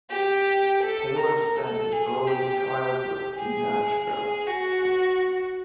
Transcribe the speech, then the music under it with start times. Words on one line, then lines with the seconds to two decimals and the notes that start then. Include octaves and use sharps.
Taylor spent his early childhood in Nashville.
0.10 G4
0.83 A4
1.19 A#4
1.55 A4
1.92 G#4
2.28 G4
3.36 G#4
4.10 G#4
4.46 F#4